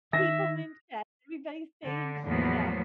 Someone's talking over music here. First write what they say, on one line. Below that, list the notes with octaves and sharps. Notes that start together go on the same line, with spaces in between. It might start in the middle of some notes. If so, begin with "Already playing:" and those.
Keep 'em in check. Everybody stay in ch check.
D#3 E5 A#6
D3
E2 A2 F3 F#3 A#3 B3